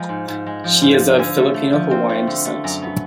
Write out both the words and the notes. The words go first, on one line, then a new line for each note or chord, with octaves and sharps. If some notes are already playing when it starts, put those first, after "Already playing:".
She is of Filipino Hawaiian descent.
Already playing: F3 G#3 G#5
G#2
G#2
G#3
F3
G#2
F3
D3 G#5
A3
A3
F3
C4
A3
D3
A3
F#2 A#5
B3